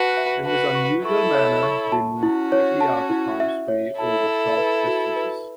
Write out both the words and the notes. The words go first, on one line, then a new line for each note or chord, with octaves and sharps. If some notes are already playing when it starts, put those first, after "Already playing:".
In this unusual manner, they move quickly out of harm's way over short distances.
Already playing: F#4 B4 A5
E5
F#4 B4 A5
C#6
E4 A4 C#6
C#5
C#6
A5
C#4 E4 F#4
C#5
A5
E4
E5
C#5
E4 A4 A5
E5
B4
F#4
B4